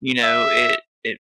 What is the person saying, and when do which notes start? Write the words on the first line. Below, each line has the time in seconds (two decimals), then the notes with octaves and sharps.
you know, it it
0.24 E5